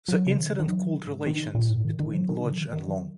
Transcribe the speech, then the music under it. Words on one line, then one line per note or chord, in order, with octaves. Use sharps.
The incident cooled relations between Lodge and Long.
F#3
C#3
D#3
D#3
F#3
D#3
G#2
D#3
A#2
G#2
D#3
D#3
F#3
D#3
C#3
F#3
D#3
D#3
F#3